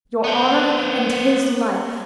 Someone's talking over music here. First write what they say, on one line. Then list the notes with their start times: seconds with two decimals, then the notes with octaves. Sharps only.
Your honor and his life!
0.24 B3 C5